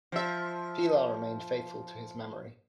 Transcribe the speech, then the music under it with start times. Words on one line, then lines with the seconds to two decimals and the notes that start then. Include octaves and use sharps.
Pilar remained faithful to his memory.
0.12 F3 E5